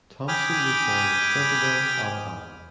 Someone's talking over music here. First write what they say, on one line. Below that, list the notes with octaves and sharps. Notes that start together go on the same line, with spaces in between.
Thompson was born in Centreville, Alabama.
G5 G#5 B5 D6 D#6 F6